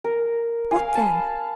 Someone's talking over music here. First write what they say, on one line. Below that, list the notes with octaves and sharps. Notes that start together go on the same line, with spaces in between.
"What then?"
A#4
F5 G#5
A5 B5